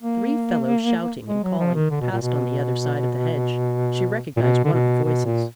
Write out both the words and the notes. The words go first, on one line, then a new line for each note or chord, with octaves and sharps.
Three fellows shouting and calling, passed on the other side of the hedge; she recognized one of the voices.
A#3
G#3
F#3
F3
D#3
D3
B2
A#2
B2
A#2
B2
D3
B2
B2
A#2